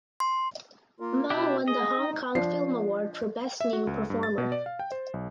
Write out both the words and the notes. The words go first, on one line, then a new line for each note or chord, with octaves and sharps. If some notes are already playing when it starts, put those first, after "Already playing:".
Ma won the Hong Kong Film Award for Best New Performer.
C6
A#3 F4 A#4
B2 D4 E4 G4 E5
G#4 D#5
D#4
F3 D4 C7
E5
F#4
C#2
G2
A6
B2
D5
F5
G5
C5
B1